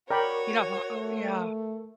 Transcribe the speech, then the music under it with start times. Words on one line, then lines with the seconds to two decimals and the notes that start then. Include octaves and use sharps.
you know, ho oh yeah.
0.11 F#4 A#4 C#5 D5 G5 B5
0.91 A3